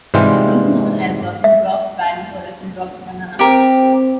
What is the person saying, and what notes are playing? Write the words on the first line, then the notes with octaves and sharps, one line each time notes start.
It is also known as Rosenbrock's valley or Rosenbrock's banana function.
G#2 C3 E3 G3 G#3 F4
E5
C4 G4 A#4